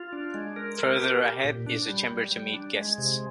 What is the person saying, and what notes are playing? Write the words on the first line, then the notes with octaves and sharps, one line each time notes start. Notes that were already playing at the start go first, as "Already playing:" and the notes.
Further ahead is a chamber to meet guests.
Already playing: F4
D4
G#3
A#4
A#4
G4
G4
A#2
D4
G3
G3
G3
D4
G#3
C3